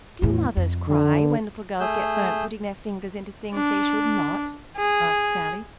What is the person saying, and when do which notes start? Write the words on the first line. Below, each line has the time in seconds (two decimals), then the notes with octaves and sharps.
"Do mothers cry when little girls get burnt putting their fingers into things they should not?" asked Sallie.
0.22 E2 A2
0.57 F2
0.88 D3
1.80 A3 G#4 E6 G6
3.55 D4
4.78 G#4